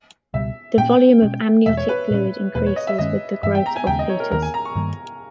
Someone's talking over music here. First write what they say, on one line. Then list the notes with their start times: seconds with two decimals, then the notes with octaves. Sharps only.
The volume of amniotic fluid increases with the growth of fetus.
0.34 C#2 B2 G3 E5
0.77 A#2 A#3 C#4 G5
1.22 B2 G#3 C#4
1.66 E2 B2 G#3 E5
1.77 C#5
1.89 B4
2.11 A#2 G3 C#4
2.55 E2 B2 A#3 B4
2.66 C#5
2.76 D#5
2.87 E5
2.98 G2 D#3 G#3 C#4 D#5
3.43 G2 E3 G#3 E5
3.55 G5
3.66 A#5
3.76 G#5
3.87 D#2 C#3 G#3 G5
3.99 D#5
4.09 C#5
4.20 A#4
4.31 D#2 D#3 A#3 A#4
4.42 G#5
4.54 A#5
4.65 C#6
4.75 G2 D#3 G3 A#3